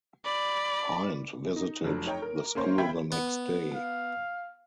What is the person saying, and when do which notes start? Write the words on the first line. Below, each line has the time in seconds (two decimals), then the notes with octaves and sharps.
Hind visited the school the next day.
0.25 D5 B5
1.56 D#4
1.84 F1 F2 F#3 D4
2.06 D#4 C#5 G5 A#5
2.22 A#4
2.55 A#3 C#4 A#4 C5 C#5
2.78 E5 F5 G5 B5 G#6 B6
3.12 B3
3.75 F5